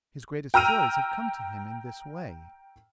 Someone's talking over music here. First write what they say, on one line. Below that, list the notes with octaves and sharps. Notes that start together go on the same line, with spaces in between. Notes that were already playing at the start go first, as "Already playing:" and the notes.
His greatest joys have come to him in this way.
G5 A#5 E6 F6 D#7 F7